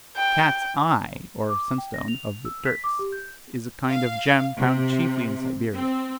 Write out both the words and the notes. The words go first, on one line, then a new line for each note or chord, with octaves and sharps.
Cat's-eye or Sun-stone of the Turks is a kind of gem found chiefly in Siberia.
G5
D6
G5
A#6
F7
E6
B6
D6
G4
G6
F5
C3
C4